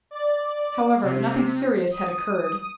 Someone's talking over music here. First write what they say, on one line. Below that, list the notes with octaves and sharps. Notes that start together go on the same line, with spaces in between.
However, nothing serious had occurred.
D5
C3
D#6